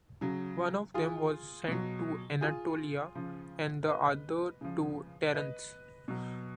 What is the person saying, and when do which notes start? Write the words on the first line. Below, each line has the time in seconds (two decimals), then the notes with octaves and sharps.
One of them was sent to Anatolia and the other to Thrace.
0.21 C#3 F#3
0.94 F4 G#4
1.68 B2 F#3
2.41 F4 G#4
3.15 C#3 F3
3.88 B4 D#5
4.61 C#3 F3
5.34 B4 D#5
6.08 B2 F#3